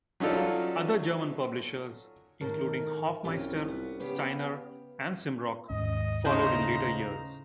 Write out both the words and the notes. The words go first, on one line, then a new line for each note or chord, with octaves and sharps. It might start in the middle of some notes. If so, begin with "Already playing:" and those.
Other German publishers, including Hoffmeister, Steiner and Simrock, followed in later years.
F#3 C#4 D#4 F4 A4 D5
A2 D#3 A4 A#4
C2 C#4 F4 G4
B3
C#3 B3 G4 F5
D#2 G#2 C#4 D#5
A2 C#3 D#4 C5 A#5